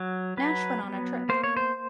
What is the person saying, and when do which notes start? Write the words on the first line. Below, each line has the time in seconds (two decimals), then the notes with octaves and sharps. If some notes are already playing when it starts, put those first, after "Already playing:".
Nash went on the trip.
Already playing: F#3
0.37 F#3 B4
0.84 B3
1.29 A#3 C5
1.44 C#5
1.57 C5